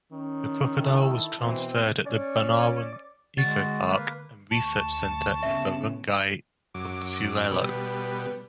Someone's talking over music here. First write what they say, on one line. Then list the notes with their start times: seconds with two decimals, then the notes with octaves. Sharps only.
The crocodile was transferred at the Bunawan Eco-Park and Research Center in Barangay Consuelo.
0.12 D#3 C#4
0.81 E4 A4
1.41 B2 E3 C4
2.06 C#4 D5
3.38 D3 G#3 F#4 A6
3.89 A#3 B4
4.51 D2 A5 C#6
5.43 C#3 B3 C#4 E5
6.74 F#2 D6
7.51 B2 G3 B4